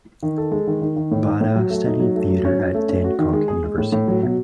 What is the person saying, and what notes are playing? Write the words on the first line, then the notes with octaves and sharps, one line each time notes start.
Bada studied theater at Dankook University.
D#3
A4
G#3
D#3
D#3
D#3
A2
D#4
A2
F#3
A3
D#4
F#3
A3
F#3
C#4
C#4
A3
C#4
F#4
D#3
G#3
G#4
G#3
A2
A2
F#3
B2